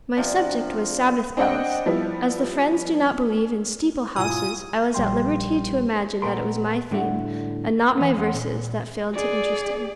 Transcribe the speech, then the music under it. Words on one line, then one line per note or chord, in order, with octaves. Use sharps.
My subject was "Sabbath Bells." As the Friends do not believe in "steeple-houses," I was at liberty to imagine that it was my theme, and not my verses, that failed to interest him.
C3 F3 D4
C4 D4 D#5 F#5 G5
F3 G3 B3 E4
G#2 B2 E4 F4 G#5 D#6 D#7
A#1 G3 G5 C6
A#2 A3 B3 A#4 C6
A2 D3 G3 F#4 E5 F#5
E3 A#3 B3
E2 C4 C#5 E5 F#5 C6
A#2
G#4 D5